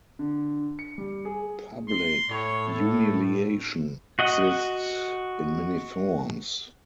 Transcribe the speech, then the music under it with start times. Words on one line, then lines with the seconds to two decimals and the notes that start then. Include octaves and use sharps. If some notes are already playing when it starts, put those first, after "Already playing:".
Public humiliation exists in many forms.
0.19 D3
0.79 C#7
0.98 G3
1.25 G#4
1.89 C6
2.30 A2 C#5
2.68 A4
4.19 F#4 D#5 F#5